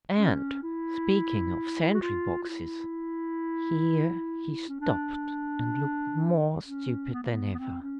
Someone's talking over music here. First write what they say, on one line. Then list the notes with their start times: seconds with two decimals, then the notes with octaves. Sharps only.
"And, speaking of sentry-boxes"--here he stopped and looked more stupid than ever.
0.17 C#4
0.63 E4
1.94 F#4
2.02 F4
2.43 F4
2.49 E4
4.69 C#4
4.81 D4
6.66 C#4
7.13 B3
7.23 A#3
7.32 B3
7.53 B3
7.58 C4
7.82 C#4